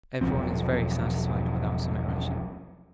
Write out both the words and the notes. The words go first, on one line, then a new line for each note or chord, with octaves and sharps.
Everyone is very satisfied with our summit ration.
E1 B1 F3 C4